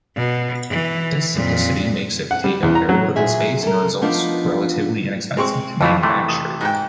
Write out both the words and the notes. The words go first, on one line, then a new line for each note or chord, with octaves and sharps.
This simplicity makes it take up very little space and results relatively inexpensive to manufacture.
B2
E3
F2 A#2
F#5
G3
E2
A#5
F#3
A#2 F#3 G#4 E5
A4 A#4
F3 B3 D4 D#4 F5
G#3 C4 C#6
F2 E3 A3 F4
C3 E3 A3
D#6
G#2 G5